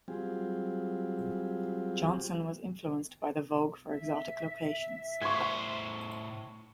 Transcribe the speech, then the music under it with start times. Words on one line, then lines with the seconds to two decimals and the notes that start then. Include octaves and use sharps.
Johnson was influenced by the vogue for exotic locations.
0.08 F#3 G3 C4 F4 G4 G#4
3.89 E5
5.22 A2 C5 C#6 G#6